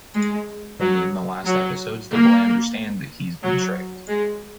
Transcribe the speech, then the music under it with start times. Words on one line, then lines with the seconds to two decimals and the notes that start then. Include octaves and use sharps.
Only in the last episodes, the boy understand that he’s been tricked.
0.14 G#3
0.80 F#3
1.46 F#3
2.11 A#3
3.42 F#3
4.08 G#3